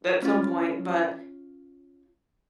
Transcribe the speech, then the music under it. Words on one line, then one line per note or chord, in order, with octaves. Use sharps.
that some point, but,
C#4 F4